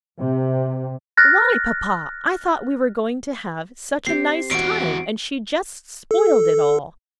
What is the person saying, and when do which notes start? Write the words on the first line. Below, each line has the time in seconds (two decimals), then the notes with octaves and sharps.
"Why, papa, I thought we were going to have such a nice time, and she just spoiled it all."
0.20 C3
1.17 F6 F#6 A6 A#6
4.07 C4 G4 C7
4.51 E2 F#4 D7
6.11 A4